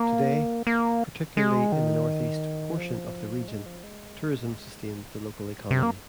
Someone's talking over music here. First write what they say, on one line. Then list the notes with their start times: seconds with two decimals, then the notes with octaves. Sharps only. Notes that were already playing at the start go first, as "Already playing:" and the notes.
Today, particularly in the northeast portion of the region, tourism sustains the local economy.
Already playing: A#3
0.67 A#3
1.37 G#3
1.72 D#3
2.77 F3
3.48 G#3
3.66 F3
3.83 G#3
4.89 F3
5.00 D#3
5.13 G#3
5.25 D#3
5.59 C3
5.71 C3
5.83 A#3